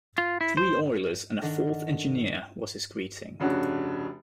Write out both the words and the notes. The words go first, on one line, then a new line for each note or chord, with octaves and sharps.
Three oilers and a fourth engineer, was his greeting.
F4
E4
C5
D#3 D4 A4 F#5 F6 A#6
F1 C#3 D4 F#4